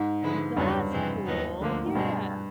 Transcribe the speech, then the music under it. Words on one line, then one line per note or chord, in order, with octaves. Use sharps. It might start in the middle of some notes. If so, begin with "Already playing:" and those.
That's cool. Yeah.
Already playing: G#2
D3 F3 G#3 B3 E4
E2 G2 C#3 F#3 B3 D#4
F2 C3 E3 G#3 C4
D#2 D#3 F#3 B3 D#4
D2 D3 F3 A#3
G#2
G2 B2 G#3 C4